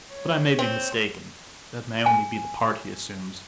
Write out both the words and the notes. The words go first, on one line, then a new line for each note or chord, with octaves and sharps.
But I may be mistaken; that may only be the part he assumes.
C#5
C4
G#5